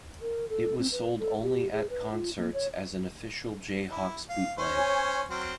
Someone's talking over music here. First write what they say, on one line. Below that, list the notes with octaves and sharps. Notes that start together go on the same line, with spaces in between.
It was sold only at concerts as an Official Jayhawks Bootleg.
A#4
A4
C4
B4
A4
G4
G#4
B4
F4
A#3
C#5
E4
F5
C#4 C5
C#5 G#5 C#6
F#3 C4 F6